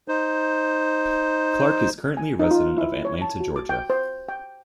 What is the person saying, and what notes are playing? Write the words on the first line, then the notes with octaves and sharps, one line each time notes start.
Clark is currently a resident of Atlanta, Georgia.
D#4 C5
G#5
D#4
F4
E4
C#5
A5
F#4
D6
G5
C5
G5